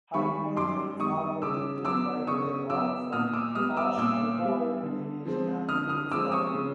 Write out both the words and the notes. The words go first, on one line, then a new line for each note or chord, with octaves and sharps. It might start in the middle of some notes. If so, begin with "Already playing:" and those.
Hypolithons are protected by their rock from harsh ultraviolet radiation and wind scouring.
D#3 G3 B5 C#6
F#2 C6 D6
D#3 G3 C#6 D#6
C#3 D6 E6
F#3 B3 D6 E6
C#3 C#6 D#6
F#3 B3 D6 E6
A#2 D#6 F6
D6 E6
G3 B3 D#6 F6
D6 E6
A#2 D6 E6
G3 B3
D3
F3 G#3 C4
D3 D#6 F6
D#6 F6
F3 G#3 C4 D6 E6
C#6 D#6
C#3